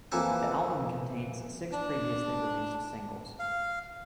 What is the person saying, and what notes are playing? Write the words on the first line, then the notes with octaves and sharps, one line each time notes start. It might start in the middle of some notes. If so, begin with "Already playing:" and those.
The album contains six previously released singles.
F2 E3 A#3 A4 G#5
D4
F5